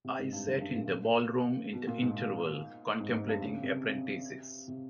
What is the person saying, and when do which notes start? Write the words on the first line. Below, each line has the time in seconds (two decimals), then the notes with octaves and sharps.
I sat in the ball-room in the interval, contemplating the apprentices.
0.04 C3
0.19 G#2
0.32 G2
0.47 F#2
0.61 G2
0.75 A#2
1.73 B2
1.87 A#2
2.02 G#2
3.00 G#2
3.14 G#2
3.28 G2
3.42 C#3
3.62 C3
3.84 C3
4.68 C3